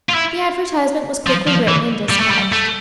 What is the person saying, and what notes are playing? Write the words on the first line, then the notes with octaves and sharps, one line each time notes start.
The advertisement was quickly written and despatched.
F4
E4
F3
F3
E3
G3
A3
G3
A3